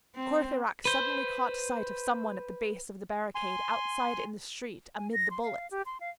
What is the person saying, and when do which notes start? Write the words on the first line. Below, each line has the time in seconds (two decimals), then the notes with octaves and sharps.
Courfeyrac suddenly caught sight of some one at the base of the barricade, outside in the street, amid the bullets.
0.15 C4
0.85 B4 C5
3.35 G#5 C6
4.97 G#5
5.13 A#6
5.30 C6
5.43 F5
5.71 G4
5.86 C6
6.00 F5